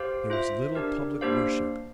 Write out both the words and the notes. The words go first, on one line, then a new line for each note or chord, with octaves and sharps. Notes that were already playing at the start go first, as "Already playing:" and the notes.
There was little public worship.
Already playing: G4 C5 F5
F4 C5 E5
D4 G4 A#4
A#3 D4 G4 C5 F5